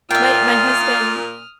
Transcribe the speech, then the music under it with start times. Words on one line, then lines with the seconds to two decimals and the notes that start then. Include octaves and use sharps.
my my husband
0.11 A#2 F4 E5 G5 D#6 F6